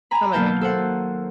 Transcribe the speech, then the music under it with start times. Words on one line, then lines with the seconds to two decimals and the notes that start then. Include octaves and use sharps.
Oh my gosh.
0.11 G#5 A#5 B5
0.33 D#2 B2 F#3 A#3 A5 G6
0.61 A4 C5 F#5